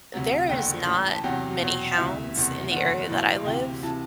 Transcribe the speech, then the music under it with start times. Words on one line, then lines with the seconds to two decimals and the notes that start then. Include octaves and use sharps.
there is not many hounds in the area that I live.
0.13 D2 C3 F#3
0.49 F#1 E2 D3 G5
0.86 A1 A2 E3
1.12 A5
1.24 E2 C3 F#3 G5
1.60 E2 B2 F#3
1.97 D2 C3 E3 E5
2.35 F#1 E2 C3
2.71 F#1 E2 D3 F#5
3.08 B1 A2 E3
3.45 D2 C3 E3 G5
3.83 C3 E3 A5